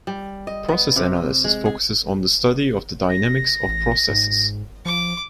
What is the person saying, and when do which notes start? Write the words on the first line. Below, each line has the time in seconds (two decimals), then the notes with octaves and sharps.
Process Analysis focuses on the study of the dynamics of processes.
0.07 G3
0.47 D#5
0.68 B3
0.96 C3
1.44 G#3
1.66 G#4
3.09 A#6
3.68 A1
4.09 G#2
4.86 F3 D6